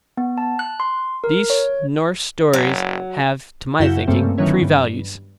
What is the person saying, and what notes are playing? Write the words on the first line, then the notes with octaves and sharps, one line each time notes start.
These Norse stories have, to my thinking, three values.
B3
A5
F#6
C6
A#4
C#5
F#1 F#3
F#2 C#3 E4 F#4 G6 E7
G2 C#3 A3 A#3 C4
D3 D#3 F#3 B3 C#4 E4
G2